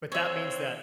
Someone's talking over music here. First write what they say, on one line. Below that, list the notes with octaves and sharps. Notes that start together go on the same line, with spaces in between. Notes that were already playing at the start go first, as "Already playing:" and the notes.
but that means that
C4 C#5 E5